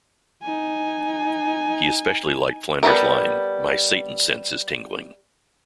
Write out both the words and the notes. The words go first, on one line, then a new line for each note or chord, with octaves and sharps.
He especially liked Flanders' line My Satan sense is tingling.
D#4 G#5
G3 B3 F4 A4 A#4